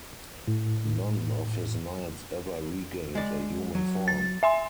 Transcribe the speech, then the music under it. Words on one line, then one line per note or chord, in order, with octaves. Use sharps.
None of his knights ever regained a human form.
A2
G#3 D5
F#3
A6
E5 G#5 C6